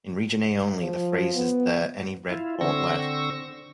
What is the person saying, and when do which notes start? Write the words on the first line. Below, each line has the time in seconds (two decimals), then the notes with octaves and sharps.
In Region A only, the phrase Is there any red port left?
0.78 F3
1.35 B3
2.29 E4 F4
2.61 D3 C4 C#6 E6 A#6